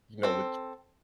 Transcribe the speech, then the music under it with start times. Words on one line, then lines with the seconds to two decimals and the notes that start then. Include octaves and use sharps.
you know, with,
0.23 C4 A4